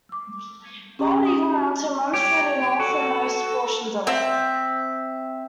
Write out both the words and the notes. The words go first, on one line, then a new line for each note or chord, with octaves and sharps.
Bald Eagle Mountain runs through the northernmost portions of it.
D6
C#4 G4 G#4 G5 A#5 C#6
D#6
F#4
G4 C#5
F#4 A4
C4 E5